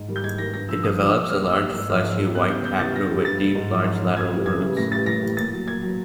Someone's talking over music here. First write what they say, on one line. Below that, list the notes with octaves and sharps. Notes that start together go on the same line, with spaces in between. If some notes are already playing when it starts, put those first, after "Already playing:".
It develops a large, fleshy, white taproot with deep large lateral roots.
Already playing: G#2
D#3 G3
G6
G#2 G#6
D#3 G3 A#6
G2 A#6
F3 E6
D3
G2 D#6
D3 F3
A#2 E6
G3 F6
A#2 E6
G3
G#2 E6
F3 F6
G#2
F3
E2 F#6
C#3 E3 G3 G6
E2 G6
C#3 E3 G3 A6
G2 A#6
D3 G3
G2 A6
D3 G3
G#2
F3
G#2
F3
F#2 G#6
C#3 E3 G3
F#2 G#6
C#3 E3 G3
A2 A#6
E3 G3 A6
A2 A#6
E3 G3
A#2 A6
F#3
A#2 G#6
F#3